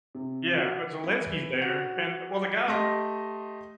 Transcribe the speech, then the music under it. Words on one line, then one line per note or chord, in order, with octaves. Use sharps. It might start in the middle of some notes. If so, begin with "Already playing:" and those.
Yeah. But Zelenski's there. And well the guy
C3
F#4
E3 E4
F#4
A3 G4 D#5 C6 A#6